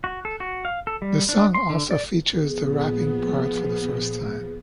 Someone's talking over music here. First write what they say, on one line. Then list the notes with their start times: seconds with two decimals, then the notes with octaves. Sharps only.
The song also features the rapping part for the first time.
0.04 F#4
0.25 A4
0.40 F#4
0.65 F5
0.87 A4
1.02 G3
1.29 D4
1.54 C6
1.70 D3
1.91 D5
2.43 A#2 F3 B3 G#4